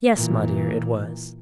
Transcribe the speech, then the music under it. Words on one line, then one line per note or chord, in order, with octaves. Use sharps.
'Yes, my dear, it was.'
A#2 E3